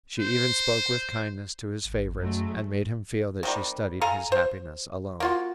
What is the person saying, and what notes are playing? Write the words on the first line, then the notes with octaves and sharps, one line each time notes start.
She even spoke with kindness to his favorites and made him feel that she studied his happiness alone.
C5
G#1
F#2 F#3 G#3 A3
C3 D#3 G3
A4 F5 G#5 A#5
C5
A#3 F4 F#4